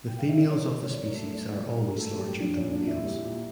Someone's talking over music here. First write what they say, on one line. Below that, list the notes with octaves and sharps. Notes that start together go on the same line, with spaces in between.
The females of the species are always larger than the males.
G5
F5
E5
D5
F3 C#5
A#4
A#2
C#5
A#2 D5
C#5
A#4
A3 A4
A3 D5
A#2 D5
G3 A#4
A2 A4
A4
A2 G4
F3 D4
A#2 C#4
D4
A#2
E4
G3
A#2